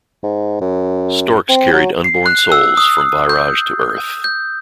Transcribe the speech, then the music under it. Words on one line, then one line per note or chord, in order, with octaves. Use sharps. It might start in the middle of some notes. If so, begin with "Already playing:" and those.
Storks carried unborn souls from Vyraj to Earth.
G#2
F#2
C4
F#3
C7
F#6
E6
D#6
G6
G6